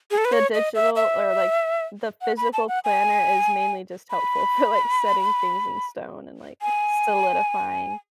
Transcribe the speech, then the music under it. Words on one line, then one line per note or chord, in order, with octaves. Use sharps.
the digital, or, like, the physical planner is mainly just helpful for like, setting things in stone, and, like, solidifying,
G#4
A4
B4
C#5
D#5
E5
E5
F#5
B5
A5
F#5
G#5
B5
G#5